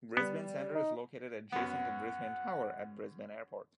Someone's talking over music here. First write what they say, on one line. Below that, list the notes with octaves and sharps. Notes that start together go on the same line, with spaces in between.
Brisbane Centre is located adjacent to Brisbane Tower at Brisbane Airport.
G3 B3
D#4
F#2 B3 F#5